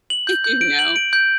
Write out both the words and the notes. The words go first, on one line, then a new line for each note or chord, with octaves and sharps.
you know,
F#7
G6
G6
D7
F#7
D7
G6